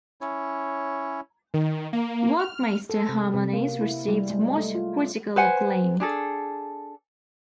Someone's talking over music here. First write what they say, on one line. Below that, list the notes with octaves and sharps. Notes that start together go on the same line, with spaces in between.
"Werckmeister Harmonies" received much critical acclaim.
C#4 E4 C#5
D#3
A#3
F6
A4
C3
C3
A#3
E4
G3
G#3
A3
F4
B4 C5 F#5 G#5
D4 G#4 A4